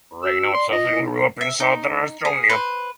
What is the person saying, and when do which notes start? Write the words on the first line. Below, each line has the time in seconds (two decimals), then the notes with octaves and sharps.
Rein Otsason grew up in southern Estonia.
0.23 F#4 E6
0.54 D5 C6
0.72 F4 D#5
0.90 E4
1.41 E5
1.60 D#4
2.25 G#4
2.50 B4 C5